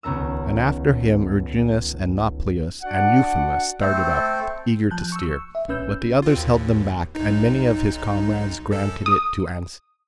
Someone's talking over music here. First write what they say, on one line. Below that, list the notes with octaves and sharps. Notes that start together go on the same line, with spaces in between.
And after him Erginus and Nauplius and Euphemus started up, eager to steer. But the others held them back, and many of his comrades granted it to Ancaeus.
D#1 C#2 B3 A#5 E6
D4 F#4 D5 F#5
A3 C4 A4 C5
F3 A5 F#6 G6
C#6 E6
E5
A#1 C#4 B4 E6 G6
C4 F4
G#1 D#2
B1 D#4
F#2 A4
D#6